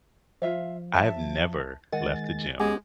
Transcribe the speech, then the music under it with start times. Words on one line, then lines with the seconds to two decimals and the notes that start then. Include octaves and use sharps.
I have never left the gym
0.42 F3 F4 E5 F5
0.95 E5 A5
1.93 D#3 G#3 F#5 G#5 A6
2.60 G#3 B3 C#4 G4